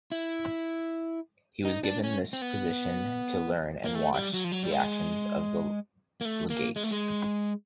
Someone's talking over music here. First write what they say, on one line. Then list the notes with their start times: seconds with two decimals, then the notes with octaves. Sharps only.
He was given this position to learn and watch the actions of the legate.
0.12 E4
1.65 D#4
1.84 D4
2.03 C#4
2.33 C4
2.42 B3
3.85 A#3
3.95 A3
4.14 G3
4.33 F#3
4.44 F3
4.52 F#3
4.63 G3
4.71 G#3
6.21 A#3
6.25 A3
6.50 A#3
6.76 G#3
6.84 A3
6.91 G#3